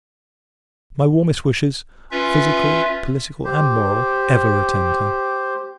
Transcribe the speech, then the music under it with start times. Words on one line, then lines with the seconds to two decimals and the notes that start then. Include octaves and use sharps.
My warmest wishes--physical, political, and moral--ever attend her.
2.11 C#4 F4 B4 E5
3.45 G4 C5